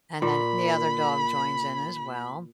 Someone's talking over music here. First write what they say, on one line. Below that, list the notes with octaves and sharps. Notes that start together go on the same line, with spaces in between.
and then the other dog joins in as well.
A#2 B5